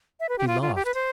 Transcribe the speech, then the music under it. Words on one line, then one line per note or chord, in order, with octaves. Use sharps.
She laughed.
E5
B4
G4
F4
F4
G4
B4
C5